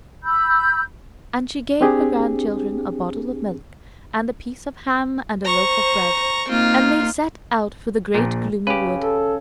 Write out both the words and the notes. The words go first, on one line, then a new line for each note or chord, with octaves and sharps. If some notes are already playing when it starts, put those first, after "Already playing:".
And she gave her grandchildren a bottle of milk and a piece of ham and a loaf of bread, and they set out for the great gloomy wood.
B5 E6 G6
C4 D4 G4 G#4
C5 A#5 C#6
A#3 C4 D#4 F4
A#1 A#2
C#3 G4 B4
A4